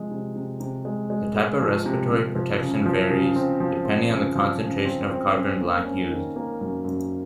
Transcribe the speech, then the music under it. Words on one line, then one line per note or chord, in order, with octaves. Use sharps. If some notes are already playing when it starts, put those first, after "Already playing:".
The type of respiratory protection varies, depending on the concentration of carbon black used.
Already playing: C3 F3 G#3
C3
C3
C3
G#3
G#3
G#3
F3
C3
C3
F3
C#3
F3
C#3
C4
F3
C4
C#3
F3
C#3
C4
C4
C#4
A#3
C#4
D#3
A#3
F#2
F#2